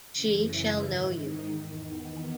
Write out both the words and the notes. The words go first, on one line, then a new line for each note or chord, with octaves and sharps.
She shall know you.
F#2 C#3 E3
E4
G#2 D#3
D#4
E2 D#3
B3